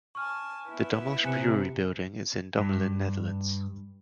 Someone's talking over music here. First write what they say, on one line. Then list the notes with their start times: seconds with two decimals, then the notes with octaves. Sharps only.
The Dommelsch Brewery building is in Dommelen, Netherlands.
0.15 G#5 A5 C#6 F6
0.67 B3 E4 B4
1.25 C3 G#5 F#6 C#7
2.57 G2